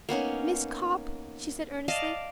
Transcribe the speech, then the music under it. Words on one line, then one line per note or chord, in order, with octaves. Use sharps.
"Miss Copp," she said earnestly.
A#3 B3 C#4 D#4
D5 D#5 F5 A5